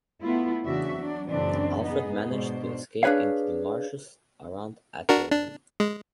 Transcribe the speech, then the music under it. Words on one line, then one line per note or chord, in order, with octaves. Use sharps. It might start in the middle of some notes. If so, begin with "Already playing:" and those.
Alfred managed to escape into the marshes around Athelney.
A3 B3 E4 F4
E2 C#3 C4 D4 F#4 E5
F#3 D4
F#2 A#2 C#3 E3 C4 D4
B3 D#4 G#4
G#2 B2 D4 C5
D4 G#4 B4 C#5 F5
D4 F#4 A#4
D4
G#3